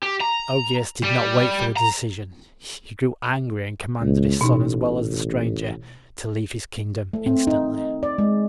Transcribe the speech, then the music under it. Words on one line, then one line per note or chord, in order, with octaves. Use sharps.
Augeas did not wait for the decision; he grew angry and commanded his son as well as the stranger to leave his kingdom instantly.
G4
A#5
G3
A#5
C#2
A1 B2 D#4
A3
C4
D#4
D5
G#3